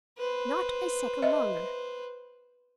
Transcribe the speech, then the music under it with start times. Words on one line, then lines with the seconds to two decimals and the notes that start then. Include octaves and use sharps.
"Not a second longer."
0.18 B4 C5
1.22 D#5 E5